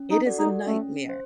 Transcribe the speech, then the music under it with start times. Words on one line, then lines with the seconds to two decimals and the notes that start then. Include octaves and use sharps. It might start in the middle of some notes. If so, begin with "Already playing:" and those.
It is a nightmare.
Already playing: C#4
0.11 D#4
0.25 F#4 A4 D5 F#5
0.39 D#4
0.67 A3 C#4
1.09 C5